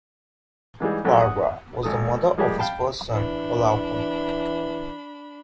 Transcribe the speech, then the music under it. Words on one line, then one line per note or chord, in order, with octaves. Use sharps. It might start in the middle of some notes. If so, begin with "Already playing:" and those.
Barbara was the mother of his first son, Olaokun.
G#2 E3 G3 G#3
A1 F#3 A3 G5
F#5 D#6
G#1 A4 D#6
F3 G3 G#3 A#3 G4
F5 G5 A5 B5
E3 D4 B5